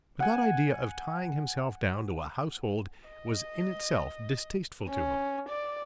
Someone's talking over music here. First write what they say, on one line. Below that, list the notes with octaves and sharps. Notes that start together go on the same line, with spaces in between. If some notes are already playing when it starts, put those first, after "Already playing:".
But that idea of tying himself down to a household was in itself distasteful to him.
F#5 G#5
D#5
C#4
D5